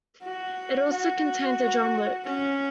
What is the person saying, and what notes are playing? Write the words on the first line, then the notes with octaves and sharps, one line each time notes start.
It also contains a drum loop.
F#4
F#4
C#4